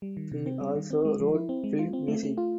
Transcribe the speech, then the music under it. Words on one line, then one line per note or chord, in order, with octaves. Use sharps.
He also wrote film music.
G3
D#3
C3
C4
G3
D#3
C4
G#3
F3
E4
C4
G#3
F4
C4
A3
A3
F4